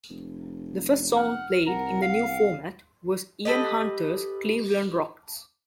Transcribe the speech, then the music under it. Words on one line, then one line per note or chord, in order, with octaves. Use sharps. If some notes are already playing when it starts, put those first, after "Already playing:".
The first song played in the new format was Ian Hunter's "Cleveland Rocks".
F1
F#5 F6
C2 A#4 F#5
F5
G4 A4 B4 D#5